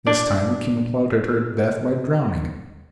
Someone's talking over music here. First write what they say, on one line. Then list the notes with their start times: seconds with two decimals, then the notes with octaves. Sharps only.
This time the king plotted her death by drowning.
0.07 D4 D5